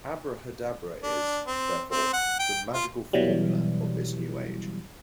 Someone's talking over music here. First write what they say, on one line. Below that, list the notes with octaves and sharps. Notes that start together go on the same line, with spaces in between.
Abrahadabra is, therefore, the "magical formula" of this new age.
D4
C4
C4
F#5
G5
F4
B2 E3 F#3 G3